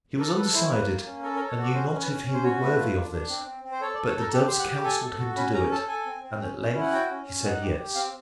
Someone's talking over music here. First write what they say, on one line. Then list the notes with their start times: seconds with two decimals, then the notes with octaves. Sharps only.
He was undecided, and knew not if he were worthy of this, but the doves counselled him to do it, and at length he said yes.
0.19 A4 A#4
0.36 A4 B4
0.54 E4 C5
0.71 A#3 B4
0.88 A#3
1.05 C#4
1.23 A4 A#4
1.36 A#4
1.40 A4
1.48 C#5
1.57 F#4 D5
1.74 C#4 C5
1.92 C#4
2.01 B4
2.09 C#4
2.26 C#4
2.33 C5
2.44 F#4 C#5
2.61 A3 B4
2.78 F4
2.95 D4
3.12 D4
3.29 C4
3.47 C4
3.64 C4
3.72 C5
3.81 A4 C#5
3.94 D5
3.99 A4
4.07 C#5
4.16 A4 A#4
4.33 G4 A4
4.47 C5
4.50 G4
4.59 F#5
4.68 G4 G5
4.84 A4 G#5
5.02 A4
5.19 F#4
5.36 C#4 B5
5.53 C#4 A#5
5.71 A4 A5
5.88 A4 G#5
6.06 C4
6.23 C4
6.40 C#4
6.57 C#4
6.74 E4
6.80 F#5
6.92 F#4 G5
7.09 C#4
7.26 C#4
7.44 D#4 F#5
7.61 G4
7.78 G4
7.95 C4 F5